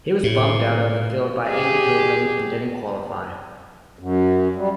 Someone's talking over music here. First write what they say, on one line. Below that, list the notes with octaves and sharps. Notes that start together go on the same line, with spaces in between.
He was bumped out of the field by Andy Pilgrim and didn't qualify.
A2
G4 G#4
F#2
G3